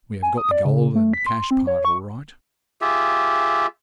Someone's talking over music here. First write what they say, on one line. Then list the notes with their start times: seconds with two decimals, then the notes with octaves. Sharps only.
'We have got the gold and cash part all right.
0.22 G#5
0.38 D#6
0.51 D5
0.65 C#3
0.95 A3
1.14 B6
1.26 C6
1.51 C4
1.67 C#5
1.85 C#6
2.81 F4 G4 G#4 E5